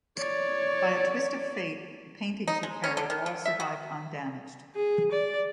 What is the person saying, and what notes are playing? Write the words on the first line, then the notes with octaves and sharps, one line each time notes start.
By a twist of fate, the paintings he carried all survived undamaged.
C#5 D5
D#4
G#3
C#4
D3
D#3
D3
E5
F#4
G#4
D5